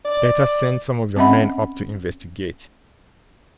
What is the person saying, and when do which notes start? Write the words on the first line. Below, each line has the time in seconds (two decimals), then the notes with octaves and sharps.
"Better send some of your men up to investigate."
0.04 D5
1.17 C4 C#4 D#5 E5 F#5 B5